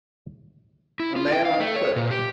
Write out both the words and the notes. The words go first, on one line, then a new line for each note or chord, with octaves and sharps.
A man on a cliff.
E4
F4
G5
F5
A3
C#5
A#2
G4